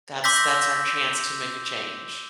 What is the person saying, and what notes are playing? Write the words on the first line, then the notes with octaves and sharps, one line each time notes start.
that's that's our chance to make a change.
C6 D6 E6 G6 A#6 B6